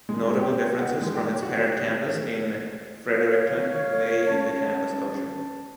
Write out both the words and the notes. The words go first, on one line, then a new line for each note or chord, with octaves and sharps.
Notable differences from its parent campus in Fredericton lay in the campus culture.
G#3
G4
F#5
G#3
G4
F#4
C#5 F5
C#4 A5